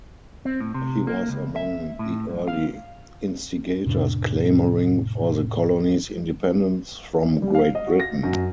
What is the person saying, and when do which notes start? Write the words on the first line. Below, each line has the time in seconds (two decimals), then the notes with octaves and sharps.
He was among the early instigators clamoring for the colony's independence from Great Britain.
0.45 C4
0.60 A2
0.74 C3
1.07 A#3
1.29 C#2
1.56 E5
1.99 A2
2.29 F#2
2.48 F5
3.87 F2 A2 C3 D4
7.42 G3
7.54 F5
7.75 D#5
7.87 F#4
8.00 A#6
8.23 F#2